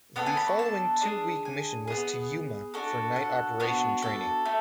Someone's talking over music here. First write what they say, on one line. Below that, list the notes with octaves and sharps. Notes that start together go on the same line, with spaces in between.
The following two-week mission was to Yuma for night operation training.
B3 D4 A4 F#5
G#5
B5
C#6
A5
D4 G#4
G#5
B3 D4 G#4
D4 F#4 A4
F#5
B3 D4 F#4
A4
A3